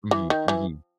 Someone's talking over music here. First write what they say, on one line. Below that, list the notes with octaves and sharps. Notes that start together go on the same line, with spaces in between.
Mhm, mhm.
E3
D#3
E3